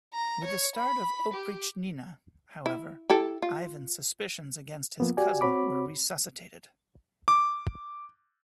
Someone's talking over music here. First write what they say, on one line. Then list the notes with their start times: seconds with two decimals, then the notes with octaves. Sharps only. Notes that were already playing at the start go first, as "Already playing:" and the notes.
With the start of Oprichnina, however, Ivan's suspicions against his cousin were resuscitated.
0.13 A#5
0.44 C#5
0.75 B5
1.33 G4
2.66 E4
3.10 E4 G4 A4
3.42 F4
5.00 F3 A#3 B3
5.17 F#4 G4 D5 G#5
5.41 C4 F#4 C#5 B5 D6
7.28 D6